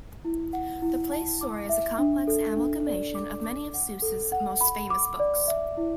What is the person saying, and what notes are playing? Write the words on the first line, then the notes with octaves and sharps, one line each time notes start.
The play's story is a complex amalgamation of many of Seuss's most famous books.
E4
F#5
E4
A5
D6
E5
D4
A4
D4
D5
D6
D6
F#5
A4
F#5
B5
D6
D5
E5
E4